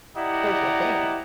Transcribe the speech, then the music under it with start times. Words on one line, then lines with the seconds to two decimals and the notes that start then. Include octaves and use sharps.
Personal thing.
0.17 E4 G4 D5 D#5 F#5 A#5